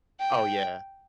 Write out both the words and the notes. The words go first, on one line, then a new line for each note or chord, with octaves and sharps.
Oh, yeah.
G5